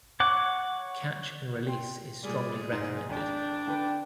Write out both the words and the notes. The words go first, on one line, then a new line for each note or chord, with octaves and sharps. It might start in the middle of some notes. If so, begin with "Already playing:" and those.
Catch and release is strongly recommended.
C#5 F#5 D6
G5 C6
A#2 G3 G#4 D5
G#2 C5
G#1 D4 G5
D3 B4 G5